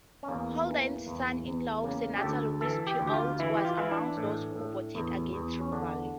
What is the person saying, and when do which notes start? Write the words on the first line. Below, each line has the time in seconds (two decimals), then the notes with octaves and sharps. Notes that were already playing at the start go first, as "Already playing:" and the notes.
Holden's son-in-law, Senator Lewis P. Olds, was among those who voted against removal.
0.23 C#4
0.28 E2 A#3
0.67 E3
1.07 E2
1.45 E2
1.84 C#3 A#3
2.17 G4
2.22 D2 A4
2.61 E3 A4
2.87 G4
3.00 D2
3.08 G4
3.14 F4
3.39 E3 E4
3.57 G4
3.65 F4
3.78 E3 E4
3.91 D4
4.17 A2
4.55 A2
4.95 E2
5.33 E2
5.61 C#4
5.72 D3 D4